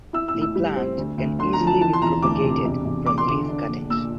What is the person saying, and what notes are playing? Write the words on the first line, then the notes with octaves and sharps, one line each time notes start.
The plant can be easily propagated from leaf cuttings.
E4 E6
E6
A2
E6
G3
C4
D2
D2
D3 C6
A#5
F3
A5
E3 A5
C6
E1 A#5
D2 D6
C3
E1
E1
E2 D6
C6
D3 D6
D4
A#1
A#2 E6